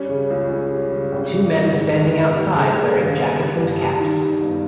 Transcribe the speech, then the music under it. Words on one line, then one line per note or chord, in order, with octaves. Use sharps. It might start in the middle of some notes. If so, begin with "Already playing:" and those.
Two men standing outside wearing jackets and caps.
Already playing: G3 C#4
C#3
C#2
C#4
G3
C#3
G#1
G3
G#2
G#2
G#2
G#2
D#2
C#3
C#3
D#2
B3
G3
G2
G2
D#3
G2
G1